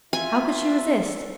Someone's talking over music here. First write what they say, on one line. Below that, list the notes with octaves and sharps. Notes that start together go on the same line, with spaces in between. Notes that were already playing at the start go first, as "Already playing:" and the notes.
How could she resist.
F4 E5 G#5